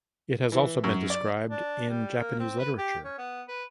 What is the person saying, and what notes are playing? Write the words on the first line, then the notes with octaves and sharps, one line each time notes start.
It has also been described in Japanese literature.
E3
F#2
D5
D4
G3
A#3
C4
B4
G4
C#4
B3
B4